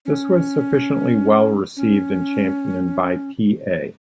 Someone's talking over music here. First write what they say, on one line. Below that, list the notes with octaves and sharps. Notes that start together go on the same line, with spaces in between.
This was sufficiently well-received, and championed by P. A.
C#4
C#4